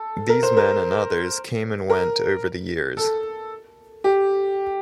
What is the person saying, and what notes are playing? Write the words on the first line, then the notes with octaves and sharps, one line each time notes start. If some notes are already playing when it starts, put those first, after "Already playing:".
These men and others came and went over the years.
Already playing: A4
A#4
C5
A#4
A#4
A4
G4